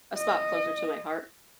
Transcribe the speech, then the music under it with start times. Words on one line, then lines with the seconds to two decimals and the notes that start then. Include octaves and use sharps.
a spot closer to my heart.
0.17 D#5